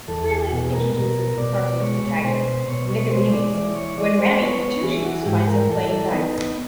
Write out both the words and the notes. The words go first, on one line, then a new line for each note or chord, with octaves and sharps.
Freleng introduces the cartoon's protagonist, Nicodemus, when Mammy Two-Shoes finds him playing dice.
E2 A4
G#4
B2 G#4
A#4
B2 A#4
B2 D5
G#3 C#5
B2 C5
B2 C#5
C#5
G#3 C5
D5
E3 D5
C#5
G#3 D5
C5
B3 C#5
C#5
E3 G#4
F#4
G#4
G#2 G4
A#4
E3 A4
A4
B3 D#4